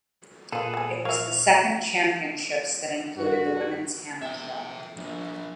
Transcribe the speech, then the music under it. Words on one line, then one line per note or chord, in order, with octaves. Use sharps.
It was the second championships that included the women's hammer throw.
A#2 A#3 F4 G#4 A4 B4
B3 G#5
A#3 C#5 E5 F5
G2 F#4
E5 G5
F3 D4